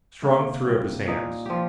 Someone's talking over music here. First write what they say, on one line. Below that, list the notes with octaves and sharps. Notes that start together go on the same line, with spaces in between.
Strong threw up his hands.
C3 A#3
G3
A#2 D#4
F3 F4 G4